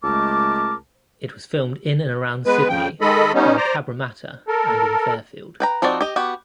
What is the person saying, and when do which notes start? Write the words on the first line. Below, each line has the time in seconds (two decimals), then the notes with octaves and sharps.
It was filmed in and around Sydney, in Cabramatta and in Fairfield.
0.04 C#2 G#3 A3 A#4 A5 D6
2.46 G#3 B3 B4
2.69 F2 C#3 F3 G5
3.01 D#3 G#3 A4 D#5 B5
3.34 G3 B3 C#4 D#4
3.57 C5 D5 A#5
4.48 A4 A#4
5.60 B4 G5 A#5
5.82 F3 C4 D#4 F#4 D5
6.01 G4 D#5
6.16 B3 F#4 G4